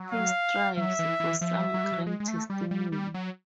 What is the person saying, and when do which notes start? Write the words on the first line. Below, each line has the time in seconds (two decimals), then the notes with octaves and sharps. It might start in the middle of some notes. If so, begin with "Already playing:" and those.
He strives for some grand testimony.
Already playing: F#3
0.12 F5
0.77 F#3 E5
0.99 E3
1.20 E3
1.41 F3 E5
1.74 F#3
1.84 G3
1.93 F#3
2.06 G#3
2.20 G#3
2.28 A3
2.50 G3
2.71 G3
2.92 G3
3.14 F#3